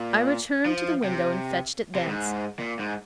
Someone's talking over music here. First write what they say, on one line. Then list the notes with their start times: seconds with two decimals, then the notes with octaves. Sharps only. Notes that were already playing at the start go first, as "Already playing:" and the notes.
I returned to the window and fetched it thence.
Already playing: A#2
0.66 F3
1.04 C3
1.95 C3
2.07 G#2
2.59 A#2
2.79 G#2